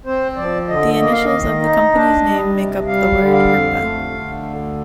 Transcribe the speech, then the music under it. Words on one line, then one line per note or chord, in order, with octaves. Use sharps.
The initials of the company's name make up the word "Herpa".
C4 C5
F3 D5
D3 D#5
A#3 D#5
F5
D#5
D#3
D#4
D4
G3
C3
G3 F5
D3
F5
F2
A3
D3
D2